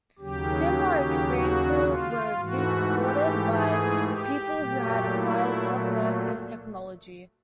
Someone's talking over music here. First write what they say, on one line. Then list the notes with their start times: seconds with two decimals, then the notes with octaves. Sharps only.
Similar experiences were reported by people who had applied Todd Murphy's technology.
0.19 D#2 C#3 F#3 G4
1.28 F#4
1.83 F4
2.38 G#2 E3 A3 F#4
2.92 G4
3.47 G#4
4.01 G4
4.57 A#2 F#3 A3
5.11 E4